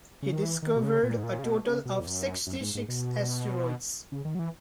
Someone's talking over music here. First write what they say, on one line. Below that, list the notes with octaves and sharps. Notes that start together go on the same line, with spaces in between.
He discovered a total of sixty-six asteroids.
C#3
D#3
E3
D#3
B2
C#3
A#2
G#2
A#2
C#3
B2
C#3
B2
E2
F#2
F#2
G#2
G#2
B2
C#3
D#3
F#3
E3